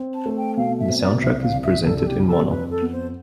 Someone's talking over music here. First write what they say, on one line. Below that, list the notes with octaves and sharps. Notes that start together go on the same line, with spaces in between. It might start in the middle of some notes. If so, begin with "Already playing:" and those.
The soundtrack is presented in mono.
Already playing: C4
A5
A3
G5
B2 F5
E5
C4
D5
C2 E5
F5
C2
E5
C2 A4
A4
G4
C3
A4
F2 B4
A4
B3
C5